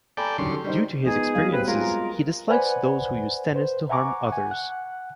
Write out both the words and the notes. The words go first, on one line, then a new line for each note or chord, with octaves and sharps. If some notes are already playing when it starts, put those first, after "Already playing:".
Due to his experiences, he dislikes those who use tennis to harm others.
A4 D5 G5 G#5 A#5 B5
D3 D#3 F#3 G3 C#4 C6
A4
G3 D4 D#4 C5
F3 G#3 B3 D#4 G#4
F#3 G3 F5
C4 B4
G#3 C4 F4 G#4 A#4
B4 C5 D5 F#5 G#5 B5
B4 C5
E5 F#5 G#5 A#5 C#6 D6
F#5 G#5
F#5 F#6